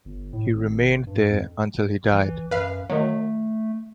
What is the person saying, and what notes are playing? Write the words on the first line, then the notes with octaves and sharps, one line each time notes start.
He remained there until he died.
G1
A2
G#1
G2
F2
E3
F#2 B4 F5
D#3 F#3 A3